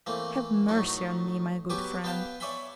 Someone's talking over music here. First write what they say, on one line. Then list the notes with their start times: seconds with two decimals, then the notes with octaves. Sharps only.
Have mercy on me, my good friend.
0.06 E3 A3 A#3 C4
0.68 A2 F#3 A3 D#4
1.70 F#3 B3 G4 B4 G#5 D6
2.04 B3 B4 F5 G5 A5
2.40 C#5 D5 E5 G#5 B5 C6